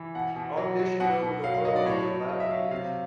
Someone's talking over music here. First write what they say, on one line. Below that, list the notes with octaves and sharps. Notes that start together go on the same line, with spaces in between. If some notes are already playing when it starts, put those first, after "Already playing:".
au auditioned over the phone for the laugher gig,
Already playing: E3
B2 F#5
B2
F#3
F#3
B2 F#5
B2
F#3 F5
F5
F#3 D#5
D5
A2 C#5
A2 D5
F#3 D#5
E5
F#3 F5
C3 F5